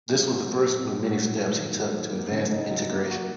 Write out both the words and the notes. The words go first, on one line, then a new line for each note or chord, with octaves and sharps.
This was the first of many steps he took to advance integration.
F#3
F#4
A#3
A#2
A#3
F#4
F#3
D#3
A#3
F#3
A#3
C#3
D#4
F#3
A#3
F#4